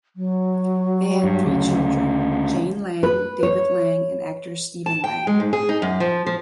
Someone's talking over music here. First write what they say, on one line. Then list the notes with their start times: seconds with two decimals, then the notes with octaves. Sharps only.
They had three children: Jane Lang, David Lang, and actor Stephen Lang.
0.16 F#3
1.24 G2
1.46 D2 C#3
3.03 B4
3.43 C#5
4.86 A5
5.04 G5
5.27 G#3
5.40 G#2
5.53 G#4
5.69 D#4
5.82 F#2
6.00 F3
6.26 F3